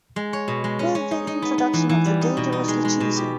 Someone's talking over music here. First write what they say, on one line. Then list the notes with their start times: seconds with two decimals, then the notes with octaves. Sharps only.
With the introduction of the Dangerously cheesy!
0.16 G#3
0.33 C#5
0.48 B2
0.64 G#3
0.79 C#4
0.95 C#4
1.11 D#4
1.27 D#4
1.42 B3
1.58 B3
1.73 E3
1.89 E3
2.06 G3
2.21 D#4
2.37 B2
2.52 D#4
2.68 G#3
2.85 G#3
3.00 B2
3.16 G4